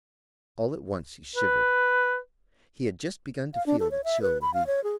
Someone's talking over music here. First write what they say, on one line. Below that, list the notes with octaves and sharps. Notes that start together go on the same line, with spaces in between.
All at once he shivered; he had just begun to feel the chill of evening.
B4
F5
D4
A4
C#5
E5
B4
B5
F5
C#5
G#4